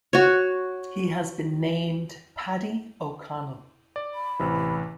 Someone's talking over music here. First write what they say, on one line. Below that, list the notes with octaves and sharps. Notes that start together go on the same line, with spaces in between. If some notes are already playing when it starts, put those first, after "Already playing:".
He has been named Paddy O'Connell.
F#4 C#5
D5
B5
A1 C3 E3